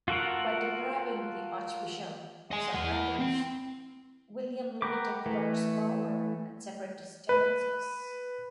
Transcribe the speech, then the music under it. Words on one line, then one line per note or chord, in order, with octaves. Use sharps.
By depriving the Archbishop of suffragans, William limited York's power and separatist tendencies.
F4 F#4 A4 A#4 F#5
D#5 G#5
E4 F#5
C4
A#4 F#5 G5 B5 D6
E3 A3
B4